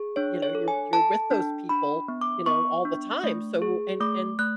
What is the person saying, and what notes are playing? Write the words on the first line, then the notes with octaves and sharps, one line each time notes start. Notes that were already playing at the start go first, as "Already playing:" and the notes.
you know, you're you're with those people, you know, all the time. So, and and,
Already playing: G#4
D4 C#5
C#5
A4
G#5
A4 A5
D4
D4 B5
B3
D6
B3 C#6
D4
A3
G#4
A3 D6
A3 F#6